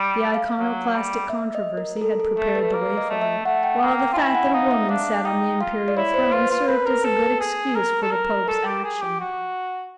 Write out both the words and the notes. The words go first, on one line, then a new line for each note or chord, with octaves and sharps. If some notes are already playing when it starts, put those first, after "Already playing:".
The Iconoclastic controversy had prepared the way for it, while the fact that a woman sat on the imperial throne served as a good excuse for the Pope's action.
Already playing: G3
F5
F#3
G3
E5
D#5
A#4
A#4
A4
A4
A3 A4
B4
A3
A#3
D#5
A3
E5
A3 F#5
G5
A#3
G5
F4
E4 G#5
F#5
D#4 F5
E5
D4 F5
D#4 G5
F4 F5
D5
E4 C#5
C5
F4 B4
F4 B4
A#4 B4
A#4 B4
A4
G#4
A#4
A4
A#4
A4 A#4
G4
G#4
G4
F#4